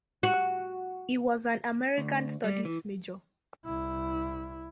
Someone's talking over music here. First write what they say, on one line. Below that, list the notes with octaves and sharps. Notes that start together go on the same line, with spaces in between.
He was an American Studies major.
F#4
D2
G3
E3
C2 E4